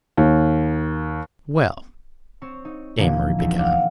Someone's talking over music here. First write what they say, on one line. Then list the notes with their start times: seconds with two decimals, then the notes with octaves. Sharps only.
"Well" Amory began.
0.17 D#2
2.42 C4 C5 C#5
2.65 D#4
2.98 A#2 D3 E3 F3 A#3 D#4
3.38 E2 C4
3.58 D5 F5 F#5